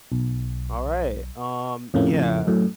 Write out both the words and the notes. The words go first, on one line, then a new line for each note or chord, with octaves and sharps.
Alright, um, yeah.
B1
F2 A2 C#3 A#3
F#2 A2